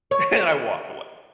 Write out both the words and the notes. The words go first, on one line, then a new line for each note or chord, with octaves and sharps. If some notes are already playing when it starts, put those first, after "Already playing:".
And I walked
C#5